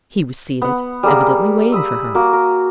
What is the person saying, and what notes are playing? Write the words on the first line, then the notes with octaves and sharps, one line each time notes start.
He was seated, evidently waiting for her.
B3 F#5
G3 A#3 G#4 A#4
B5 D#6 E6
A#3 F#4
A#4